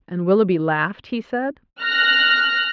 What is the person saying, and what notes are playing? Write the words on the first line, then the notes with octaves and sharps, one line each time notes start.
"And Willoughby laughed?" he said.
F6 F#6 A#6